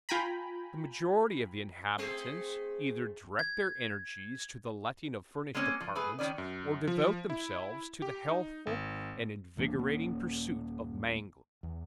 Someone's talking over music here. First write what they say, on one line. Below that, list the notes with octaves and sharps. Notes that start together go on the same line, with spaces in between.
The majority of the inhabitants either direct their energies to the letting of furnished apartments, or devote themselves to the healthful and invigorating pursuit of mangling.
F4 G5 G#5 A#5 B5
A3 C4 G#4
G#6
G#3 A#3 C4 C#4
F3
A3 G#4 B4
D#3 C#4 D5
F#2
F3
E4
G4
D#4
G#1
D#1 E3 A#3 D4
D#1 A#3 C#4
E2